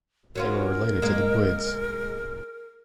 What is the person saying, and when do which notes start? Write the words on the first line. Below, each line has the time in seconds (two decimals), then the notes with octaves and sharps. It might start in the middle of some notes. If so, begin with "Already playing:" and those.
They were related to the Buyids.
0.35 F#3 C#4 F4 A#4
1.02 G#3 A#3